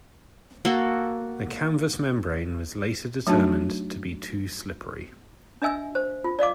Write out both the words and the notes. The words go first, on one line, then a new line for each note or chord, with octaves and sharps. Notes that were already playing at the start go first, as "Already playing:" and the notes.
The canvas membrane was later determined to be too slippery.
A#3 F#4 A4
F#3 A3 D4 D#4 F#4 A5
D4 D#5 E5 G#5 E6
C5
F4
D5 D#5 F5 D6